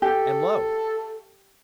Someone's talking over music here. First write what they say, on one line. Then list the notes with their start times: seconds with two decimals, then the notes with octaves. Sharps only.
And lo!
0.02 G4 A4